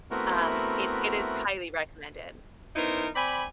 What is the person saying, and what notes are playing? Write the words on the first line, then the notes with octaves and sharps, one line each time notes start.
Um, it it is highly recommended.
A3 B3 C4 E4 F#4 A#4
B3 C#4 D#4 E4 A#4 C5
C4 D5 G#5 B5